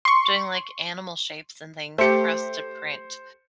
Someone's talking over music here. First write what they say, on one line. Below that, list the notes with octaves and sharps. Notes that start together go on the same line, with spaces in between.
doing, like, animal shapes and things for us to print
C6 C#6
A3 G4 C5 C#7